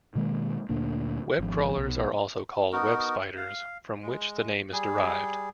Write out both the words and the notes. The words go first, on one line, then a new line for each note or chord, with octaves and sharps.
Web crawlers are also called web spiders, from which the name is derived.
B2 D#3 G#3 A#3
D2 A#2 A#3 D4
G#1 F3
B1
B3 D#4 F#4 A#4
F5
G#3
G3 G#4